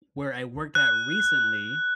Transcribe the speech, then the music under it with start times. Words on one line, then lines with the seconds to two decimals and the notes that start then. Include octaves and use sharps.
where I worked at recently
0.75 F#6